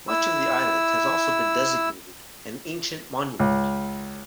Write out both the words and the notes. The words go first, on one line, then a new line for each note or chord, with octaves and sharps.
Much of the island has also been designated an ancient monument.
E4 E6
C#2